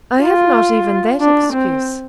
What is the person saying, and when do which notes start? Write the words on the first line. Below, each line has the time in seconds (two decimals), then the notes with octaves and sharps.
'I have not even that excuse.
0.22 F4
1.20 D4
1.53 C4